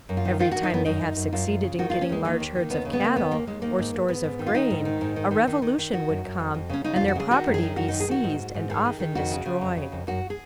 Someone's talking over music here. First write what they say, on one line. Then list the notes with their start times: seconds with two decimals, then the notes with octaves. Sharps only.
Every time they have succeeded in getting large herds of cattle or stores of grain a revolution would come and their property be seized and often destroyed.
0.09 F#2
0.17 F4
0.25 D#3
0.39 D#3 F4
0.52 D#3 F#4
0.63 D#4
0.70 F#2 B3
0.85 F#2 D#4
1.01 F#2
1.16 F#2
1.33 F#2 F4
1.48 F#2
1.63 C#3
1.79 D#3 F#4
1.90 D#2 F4
2.01 C#4
2.09 D#2 G#3
2.25 D#3 A#3
2.40 D#2
2.55 D#3
2.70 D#2 B3
2.85 C#3
2.93 B3
3.00 C#3 A#3
3.16 D#2 B3
3.31 D#2 A#3
3.47 D#2 G#3
3.62 D#3 A#3
3.78 G#2
3.94 G#2
4.08 G#2 B3
4.24 G#2
4.39 D#3
4.46 F4
4.54 D#3 D#4
4.70 G#2
4.85 D#3
5.01 G#2
5.16 D#3
5.31 D#3
5.47 D#3
5.62 D#3
5.78 D#3
5.93 D#3 F#4
6.09 F#2
6.24 F#2
6.39 F2
6.54 F2
6.69 C#3 C#4
6.84 C#3 D#4
6.96 F2 F4
7.08 F#4
7.15 C#3 G#4
7.31 D#3 F#4
7.46 F#2
7.54 G#4
7.62 D#3
7.77 F#2 F#4
7.88 D#3 D#4
8.00 G#4
8.08 D#3 F#4
8.24 G#2
8.39 G#2
8.54 G#2
8.70 D#3 G#4
8.85 D#3
9.00 D#3
9.15 F2 F#4
9.31 C#3
9.46 C#3
9.61 F2
9.76 C#3
9.92 F2
10.07 F#2 F#4
10.30 G#4